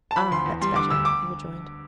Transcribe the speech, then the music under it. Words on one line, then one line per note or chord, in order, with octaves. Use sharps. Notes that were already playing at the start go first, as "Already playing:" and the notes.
"Ah! that's better," he rejoined.
A5
F3 B5
D2 C6
E2
G3 C6
D3 D6
D2 E6
D6